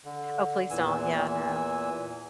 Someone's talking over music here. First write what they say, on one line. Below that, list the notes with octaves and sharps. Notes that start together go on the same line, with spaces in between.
Oh, please don't, yeah, no.
D3
E2 A#2 E3 G#5 E6